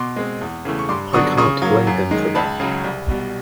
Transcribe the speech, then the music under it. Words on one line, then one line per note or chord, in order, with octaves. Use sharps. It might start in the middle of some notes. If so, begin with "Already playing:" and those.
I can't blame him for that.
Already playing: B2 C6 D6
G#3 C4
E2
C#3 E3 A3
C#6
G2 C6 D6
D3 F#3 B3 D4 C#6 D#6
C#3 C#6 D#6
F#3 A#3
F#2
D#3 G#3
C#2 A5 B5
C#3 F#3
C2
B2 G3